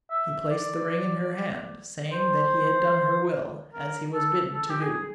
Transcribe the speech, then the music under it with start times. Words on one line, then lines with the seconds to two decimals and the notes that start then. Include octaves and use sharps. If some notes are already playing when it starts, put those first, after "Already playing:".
He placed the ring in her hand, saying that he had done her will, as he was bidden to do.
0.11 E5
0.51 D5
2.12 C5
3.74 A#4
4.14 A4
4.54 A4
4.70 G4
4.81 G#4